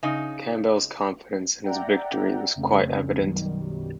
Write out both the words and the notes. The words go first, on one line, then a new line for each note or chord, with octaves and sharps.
Campbell's confidence in his victory was quite evident.
C#3 D#4
D5 E5 F#5 G5 A#5
F2 C#3 A3 C4
B1 F#2 B2 D#3 F#3 G3